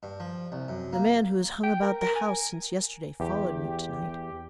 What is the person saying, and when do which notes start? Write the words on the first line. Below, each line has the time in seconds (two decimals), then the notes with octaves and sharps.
"The man who has hung about the house since yesterday followed me to-night."
0.03 G2
0.20 F3
0.52 C2
0.68 F#2
0.93 A#3
1.63 G5
1.82 A#4
2.01 A#4
2.15 G#5
3.20 E2 G4